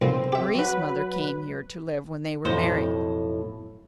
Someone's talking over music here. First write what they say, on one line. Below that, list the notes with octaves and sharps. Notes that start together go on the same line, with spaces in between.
Mari's mother came here to live when they were married.
B1 A#2 C4
G4 E5
F#3 B4
B1 F2 A2 C5